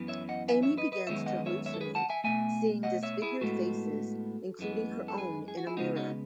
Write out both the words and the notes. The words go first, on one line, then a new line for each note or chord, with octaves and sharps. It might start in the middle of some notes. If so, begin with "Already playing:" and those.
Amy begins to hallucinate, seeing disfigured faces, including her own in a mirror.
Already playing: F#2 E3 B3
C#5 E5
D#5 F#5
E5 G#5
C#5 E5
B4 D#5
B4 D#5
F#2 D#3 G#3 B3 C#5 E5
D#5 F#5
C#5 E5
C#5 E5
A4
G#4 B4
F#5 A5
E5 G#5
B2 A3 E5 G#5
D#5 F#5
C#5 E5
E4 G#4
A2 G#3 B3 F#4 A4
F#2 E3 G#3 B3
A4
G#4 B4
G#4
F#4
E4 G#4
C#3 G#3 B3 D#4 F#4
D#4 F#4